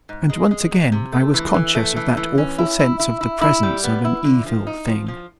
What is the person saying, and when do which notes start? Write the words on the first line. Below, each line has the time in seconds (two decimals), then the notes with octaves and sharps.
And once again I was conscious of that awful sense of the presence of an evil thing.
0.09 G#2
0.29 G#3
0.51 G#3
0.71 G#2
0.92 C3
1.12 A3
1.34 E3
1.54 E3
1.75 A3
1.96 E3
2.17 E3
2.38 C#4
2.58 E4
2.79 E4
3.00 E4
3.21 E4
3.41 E4
3.63 G3
3.84 B3
4.05 E4
4.24 D3
4.46 F3
4.67 D#4
4.87 F3
5.08 F3